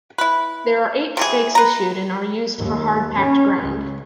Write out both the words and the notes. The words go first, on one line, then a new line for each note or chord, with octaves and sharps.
There are eight stakes issued, and are used for hard packed ground.
E4 B4
C3 E3 G#4
B4 A#5
D#2
C#4
C#2